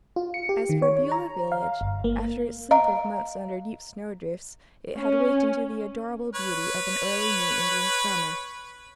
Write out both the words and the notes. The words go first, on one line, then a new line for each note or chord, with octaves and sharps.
As for Beulah village, after its sleep of months under deep snow-drifts it had waked into the adorable beauty of an early New England summer.
F4
C#7
G4
D#3
C#5
A#5
F5
G1
A#3
D#5 F5 A#5
C#4
B4 C#5